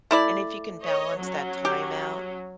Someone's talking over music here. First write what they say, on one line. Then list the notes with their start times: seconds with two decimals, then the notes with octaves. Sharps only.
And if you can balance that time out
0.11 A3 E4 D5
0.83 C#5 D#5
1.18 F#3 C#4
1.65 G4